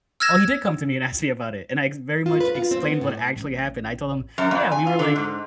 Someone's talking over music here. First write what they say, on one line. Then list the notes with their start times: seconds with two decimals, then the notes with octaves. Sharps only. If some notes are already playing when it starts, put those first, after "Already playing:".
Oh, he did come to me and asked me about it, and I very much explained what actually happened. I told him, "Yeah, we were like
0.20 E6 F6 G#6 A#6 E7
2.26 F4
2.40 B4
2.55 F4
2.71 C4
2.84 B3
3.01 A2
3.36 A1
4.38 F#2
4.51 F2
4.72 G#5
4.87 F4
4.99 D3
5.16 G#2